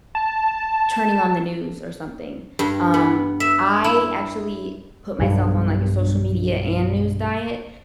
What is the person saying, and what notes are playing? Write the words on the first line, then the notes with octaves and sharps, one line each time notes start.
turning on the news or something, um, I actually put myself on, like, a social media and news diet,
A5
G2
B3
E5
E4
B1 G2